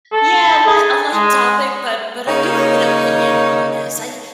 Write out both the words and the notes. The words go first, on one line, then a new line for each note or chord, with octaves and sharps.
Yeah, li a light topic, but but I do have an opinion on this. I
A4
G#4
G#3
C#3 A#3 D#4 C#5